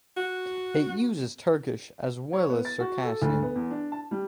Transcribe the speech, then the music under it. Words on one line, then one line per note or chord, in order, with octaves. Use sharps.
It uses Turkish as well as Circassian.
F#4
C#5
B3
A6
F#4
A4
D2
B3
E2
D4
A5
G3